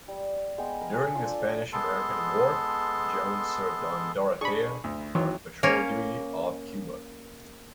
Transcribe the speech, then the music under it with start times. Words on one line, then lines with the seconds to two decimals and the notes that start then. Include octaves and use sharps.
During the Spanish-American War Jones served on "Dorothea" on patrol duty off Cuba.
0.08 G3
0.58 G#3 B3 G5
0.81 A#4
0.94 A4 G#5 C6
1.15 F3 D4
1.73 G#3 B3 A4 A5 C6
4.41 D4 G#4 B5 C#6
4.84 D2
5.15 G#1 E3 F#3 C6
5.63 A#3 C#4